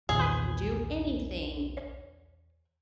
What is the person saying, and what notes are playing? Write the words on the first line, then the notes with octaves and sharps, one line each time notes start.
"I can do anything."
B1 E2 A#2 D#3 G#4